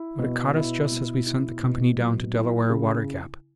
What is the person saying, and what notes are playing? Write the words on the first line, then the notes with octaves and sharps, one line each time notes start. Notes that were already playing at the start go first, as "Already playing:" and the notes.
But it caught us just as we sent the company down to Delaware Water Gap.
Already playing: E4
B2
E4
B2
E4
B2
F#3
E4
C#3